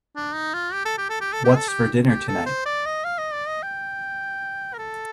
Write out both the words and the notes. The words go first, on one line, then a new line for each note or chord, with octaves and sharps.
What's for dinner tonight?
D4
D#4
F4
G4
A4
G4
A4
G4
A4
G4
A4
G4
G4
A4
C5
D5
D#5
F5
D#5
D5
D#5
G5
A#4
A4